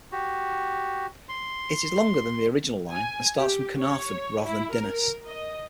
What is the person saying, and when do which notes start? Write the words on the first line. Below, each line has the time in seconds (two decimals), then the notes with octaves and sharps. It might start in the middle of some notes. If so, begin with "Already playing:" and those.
It is longer than the original line and starts from Caernarfon rather than Dinas.
0.12 F#4 G4
1.29 C6
2.92 G#5
3.38 G4
3.79 C#5
4.43 E4
4.73 A#4
5.27 D#5